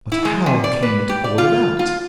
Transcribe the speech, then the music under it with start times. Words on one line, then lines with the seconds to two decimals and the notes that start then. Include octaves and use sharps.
But how came it all about?
0.12 E4
0.25 G#3
0.46 C3
0.64 D5
0.83 B4
1.09 G4
1.24 D5
1.38 F4
1.79 F4